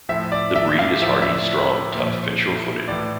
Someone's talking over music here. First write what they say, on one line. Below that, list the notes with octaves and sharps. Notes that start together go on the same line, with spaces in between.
The breed is hardy, strong, tough, and sure-footed.
A2 F3 E5
D5
E5
F5
A2 F3 E5
D5
E5
A#2 F3
A2 E3 D5